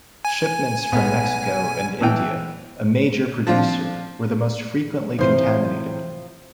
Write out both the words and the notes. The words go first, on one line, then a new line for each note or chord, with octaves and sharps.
Shipments from Mexico and India, a major producer, were the most frequently contaminated.
G#5
B1 B3
B2 E3 G5
F3 C4 D4 F4
A2 C3 E3 F3 C5